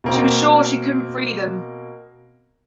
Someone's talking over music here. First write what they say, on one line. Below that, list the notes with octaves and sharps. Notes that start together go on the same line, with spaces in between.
She was sure she could not free them.
B2 A#3 C4